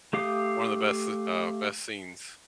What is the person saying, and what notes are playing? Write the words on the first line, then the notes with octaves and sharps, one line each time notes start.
one of the best, uh, best scenes,
A3 G4 F5 D6 D#6